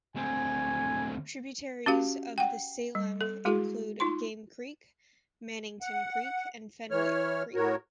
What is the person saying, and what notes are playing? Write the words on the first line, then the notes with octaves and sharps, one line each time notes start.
Tributaries of the Salem include Game Creek, Mannington Creek, and Fenwick Creek.
D2 C4 G#5
C#4 F#4 G4 F5
F#5 G5
G3
A4
G#3 E4 F#4 G#4
D#4 F4 C6
F#5
E3 C#5 F6
A2 F#4 A#4 C#5